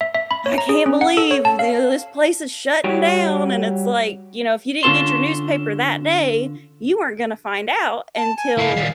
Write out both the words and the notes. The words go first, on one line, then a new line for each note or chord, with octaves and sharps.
I can't believe this place is shutting down," and it's like, you know, if you didn't get your newspaper that day, you weren't gonna find out until
E5
E5
B5
C#5
A#5
G#4
C#4
F#5
A4
C#5
A5
F5
G3 F#4 G4 C#5
D3 C#4 F4 A4 A5 C6
A5
G#5
A#3 E4 F5
D#3 G3